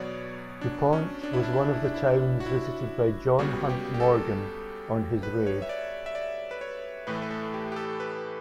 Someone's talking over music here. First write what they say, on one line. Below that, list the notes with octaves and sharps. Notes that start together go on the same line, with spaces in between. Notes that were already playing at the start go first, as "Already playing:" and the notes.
Dupont was one of the towns visited by John Hunt Morgan on his raid.
Already playing: E2 B2 F#3 B3 C#5 D5
D4
C#4
D4
E4
D4
E4
D4
E4
D4
E4
D4
F#4
E4
C#2 C#3 G3 B3 F#4
G4
G4
A4
B4
C#5
E5
D5
E5
D5
B4
C#5
A2 E3 A3 B4
A4
B4
A4
G4
G4
A4
B4